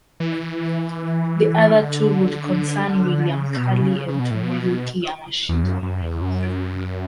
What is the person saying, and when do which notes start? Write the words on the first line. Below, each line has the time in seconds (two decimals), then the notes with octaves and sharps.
The other two would concern William Calley and Tomoyuki Yamashita.
0.20 E3
1.75 D3
3.30 C#3
3.56 B2
3.82 C#3
4.08 C#3
4.19 B2
4.31 A2
4.43 B2
5.49 E2
5.63 F#2
5.83 F#2
6.02 E2
6.22 F#2